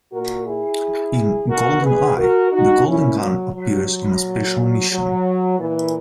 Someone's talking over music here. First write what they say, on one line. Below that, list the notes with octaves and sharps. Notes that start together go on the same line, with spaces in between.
In "GoldenEye", the Golden Gun appears in a special mission.
A#2 F#4 A#4
E4 G#4
B2 F#4 A#4
G#4 B4
F#4 A#4
D#4 F#4
A#2 C#4 E4
F#3
F#3
A#2
F#3
A#2 E3